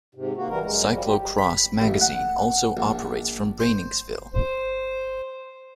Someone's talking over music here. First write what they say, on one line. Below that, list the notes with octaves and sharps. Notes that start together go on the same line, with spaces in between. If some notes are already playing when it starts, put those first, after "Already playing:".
Cyclocross Magazine also operates from Breinigsville.
G#2 C3
A#3 F#4
E3 G3 A#4
F#2 G#3
F3 G3
G4
B5
A1
F#5
A#1
C5
C5